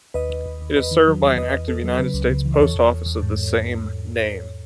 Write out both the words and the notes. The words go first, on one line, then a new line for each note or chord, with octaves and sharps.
It is served by an active United States post office of the same name.
D#2 B4 D#5
D#2
D#2
D#2
E2 B4 D#5
D#3
F#3
E2
E2 B4 D#5
E2
E2 A4
F#3
C#3 B4
C#2
C#3
E3
D#5
E2 A4 C#5
E2
E2
E2
G#2
G#2